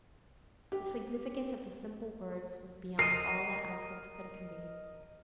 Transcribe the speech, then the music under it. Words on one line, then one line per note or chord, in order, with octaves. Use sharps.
The significance of the simple words was beyond all that eloquence could have conveyed.
G4
A#4 D#5 C7